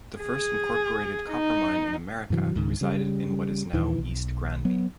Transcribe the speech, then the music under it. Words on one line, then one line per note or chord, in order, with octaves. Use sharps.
The first incorporated copper mine in America resided in what is now East Granby.
G#4
D#4
G2 C3 E3 F#3
C#2 G#2 D#3
C#3 G3
D#2 A#2 D#3 E3
B1
F#3 B3